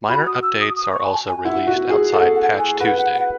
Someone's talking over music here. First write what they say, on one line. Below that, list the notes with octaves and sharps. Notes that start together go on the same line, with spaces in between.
Minor updates are also released outside Patch Tuesday.
F#4 B5
D#6
E6
D#6
D#6
C#6
G#5
A5
G#5
E4 F#5
F#4
G#4
A4 F#5
F#5
G#5
B4 F#5
F#5
F#5